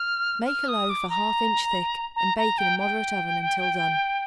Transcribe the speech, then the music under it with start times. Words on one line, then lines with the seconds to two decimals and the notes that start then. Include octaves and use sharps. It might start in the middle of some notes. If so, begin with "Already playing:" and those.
Make a loaf a half inch thick and bake in a moderate oven until done.
Already playing: F6
0.47 F6
0.68 D#6
0.90 D6
1.09 A#5
2.16 A#5
2.38 A#5
2.58 G5
2.79 G5